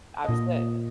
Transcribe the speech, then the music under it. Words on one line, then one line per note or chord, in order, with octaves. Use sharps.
I was good.
A#2 D#5